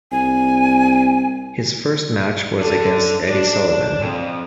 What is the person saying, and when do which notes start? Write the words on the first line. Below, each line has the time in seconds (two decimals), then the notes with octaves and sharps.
His first match was against Eddie Sullivan.
0.12 C2 G#5
2.61 D4 A4
3.29 D4 D5
4.02 F2